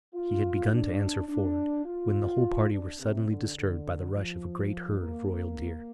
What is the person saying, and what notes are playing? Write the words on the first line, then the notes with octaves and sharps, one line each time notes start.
He had begun to answer Ford, when the whole party were suddenly disturbed by the rush of a great herd of Royal deer.
F4
D4
D4
F4
D4
C3
D3
D3
F3
A#3
A#3